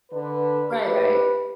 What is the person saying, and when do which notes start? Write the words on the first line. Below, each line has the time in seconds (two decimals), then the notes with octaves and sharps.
Right, right.
0.11 D3 B4
0.69 G4 B4